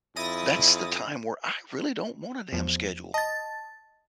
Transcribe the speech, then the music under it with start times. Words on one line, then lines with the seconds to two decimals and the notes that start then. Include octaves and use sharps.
that's the time where I really don't want a damn schedule.
0.16 F2 E4 D#6 A6 A#6
2.53 E2 F3
3.14 D#5 A5 A6